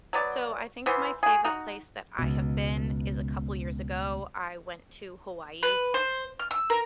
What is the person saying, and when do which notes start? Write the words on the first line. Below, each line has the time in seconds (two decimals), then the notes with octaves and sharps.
So I think my favorite place that I have been is a couple years ago, I went to Hawaii
0.13 F#3 B3 D5
0.86 E3 B3 C5
1.23 F#4 G#4
1.45 D#4 F#4
2.19 C#2 B2
5.63 B4
5.94 C5
6.39 F6
6.51 E6
6.70 A#4